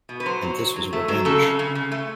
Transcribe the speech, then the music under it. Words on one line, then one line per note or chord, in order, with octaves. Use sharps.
And this was revenge.
B2
B4
F#3 C5
F#3
F#3
F#3
A3
F#3
C#3 A4
C#3
C#3
C#3
A3